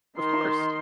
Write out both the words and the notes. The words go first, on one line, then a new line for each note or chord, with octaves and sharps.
Of course.
D#3 C6